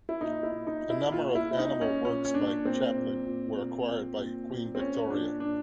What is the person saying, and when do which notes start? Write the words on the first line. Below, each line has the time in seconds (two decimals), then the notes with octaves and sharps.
A number of animal works by Chaplin were acquired by Queen Victoria.
0.09 E4
0.21 A#2 D#4
0.43 E4
0.51 A#2
0.67 D#4
0.82 A#2
0.90 E4
1.12 A#2 F4
1.35 E4
1.42 A#2
1.51 E4
1.59 D#4
1.74 A#2
1.81 C#4
2.04 A#2 C#4
2.25 C#4
2.34 A#2 D4
2.65 A#2 C4
2.96 A#2
3.26 A#2
3.57 A#2
3.88 A#2
4.18 A#2
4.50 A#2
4.75 C4
4.79 A#2 C#4
5.10 A#2 D4
5.40 A#2 D4